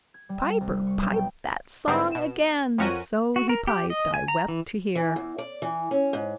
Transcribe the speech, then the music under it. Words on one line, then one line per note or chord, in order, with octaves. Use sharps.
"Piper, pipe that song again! So he piped, I wept to hear."
G#6
G3
C2
C#6
B1
G5
G#2 D3 G3 B3 C4
B2 E7
F2 F3 C#4 F#4 A#4 D#7
F#4
A#4
G4
D#5
G#5
A#5
E3
E3
E2
D5
E3
C#4
G#2